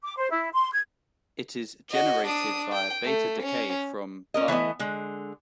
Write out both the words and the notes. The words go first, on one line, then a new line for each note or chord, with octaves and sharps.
It is generated via beta decay from Bi.
D6
C5
E4
C6
G#6
F#4 D#5
D4 D#6
G5
A3
C#4
C#4 A#4 D#5
E3 A3 B3 D#5
D3 G#3